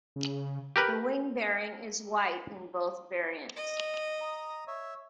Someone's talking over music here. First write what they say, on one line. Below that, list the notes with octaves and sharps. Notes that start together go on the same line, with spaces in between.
The wing barring is white in both variants.
C#3
G4 A#4 B4
D#5
A#5 D#6
C#5 E5